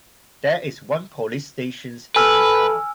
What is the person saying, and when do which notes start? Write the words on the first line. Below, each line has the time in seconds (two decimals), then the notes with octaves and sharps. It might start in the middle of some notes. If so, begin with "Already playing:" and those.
There is one police stations in the town.
2.16 A4 B4 G#5 E6 F6